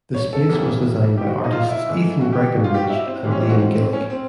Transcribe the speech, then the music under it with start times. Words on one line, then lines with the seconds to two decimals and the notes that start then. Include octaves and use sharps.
The space was designed by artists Ethan Breckenridge and Liam Gillick.
0.14 C#5
0.33 A4
0.49 E2 C#3 E3 G3
1.17 G4
1.27 F#4
1.44 D#4
1.53 F4
1.69 E4
1.86 G#2 E3 A3
2.21 F#4
2.33 G4
2.43 G4
2.56 F#4
2.64 F4
2.74 G4
2.82 F#4
2.90 E4
3.06 C4
3.24 G#2 E3 G3 C4
3.32 C#4
3.41 C4
3.49 F#4
3.58 C4
3.76 C4
3.93 C#4
4.10 C4